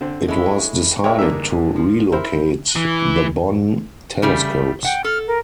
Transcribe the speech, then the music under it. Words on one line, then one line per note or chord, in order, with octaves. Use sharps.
It was decided to relocate the Bonn telescopes.
D3 C4
G#3 A3 C#4 E4
G#3 E4 A#4 C#5 D5 G5
G2 A#3 E5
F3
E4 A#4 C5
E3
C#3 G3 A3
F#5 G5
A4 F6
A#4